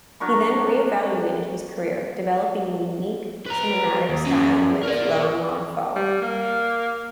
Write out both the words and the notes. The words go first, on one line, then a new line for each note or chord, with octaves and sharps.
He then re-evaluated his career, developing a unique cinematic style with "L'amour fou".
F#3 D4 A#4 C#6
B4 A#5
D#2
F#3 C#4
A#4 D5
G3
A#3